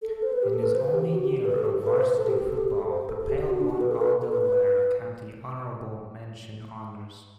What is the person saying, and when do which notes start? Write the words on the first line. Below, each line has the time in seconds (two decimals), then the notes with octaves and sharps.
In his only year of varsity football, Papale won All-Delaware County Honorable Mention honors.
0.02 A4
0.12 A4
0.23 C5
0.33 B4
0.43 G4
0.53 A4
0.63 B4
0.74 C5
0.84 B4
0.94 G4
1.05 G4
1.14 F#4
1.25 G4
1.45 B4
1.56 A4
1.66 G4
1.76 A4
1.87 B4
1.97 C5
2.06 B4
2.17 A4
2.27 G4
2.37 G4
2.48 A4
2.57 G4
2.68 G4
2.78 A4
2.89 C5
3.09 A4
3.20 A4
3.29 G4
3.40 G4
3.50 F#4
3.61 D4
3.70 F#4
3.81 B4
3.91 A4
4.01 B4
4.21 A4
4.32 B4
4.42 B4